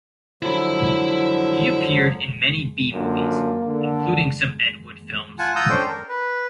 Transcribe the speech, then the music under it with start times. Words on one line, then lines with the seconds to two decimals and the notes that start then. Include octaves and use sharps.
He appeared in many B-movies, including some Ed Wood films.
0.42 D3 F3 F#3 E4 B5
2.93 F#2 D3 A#3 F4
3.66 D3
5.39 F4 F#5 G#5 A5
5.56 F4 F#5 A#5 D#6 E6 G6
5.69 C#4 D4 A4 C5 G5
5.88 A#4
6.09 B4